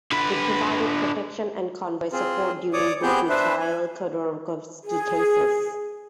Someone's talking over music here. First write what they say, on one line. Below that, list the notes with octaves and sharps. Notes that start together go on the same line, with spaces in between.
It provided protection and convoy support during both Mikhail Khodorkovsky cases.
D3 B4
C4 F4 G#4
C#5 D5 D6 D#6
B3 C4 G4 G#4 G6
D4 B4 C5 E5
G#5
G#4